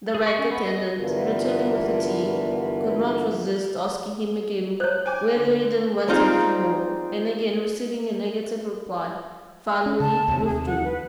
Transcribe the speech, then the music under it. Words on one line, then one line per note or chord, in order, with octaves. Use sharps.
The ragged attendant, returning with the tea, could not resist asking him again whether he didn't want anything more, and again receiving a negative reply, finally withdrew.
G#4
C#6
C#4
B3
D#5
G2 D3 E3 B3 F4 A#4
C5 C#5 F#6
G5 G#5 D6
D3
G3 A#3 C4 D#4 F4 G#4
C#4
C#3 A5
D#2 C3
G#4
F#5
B4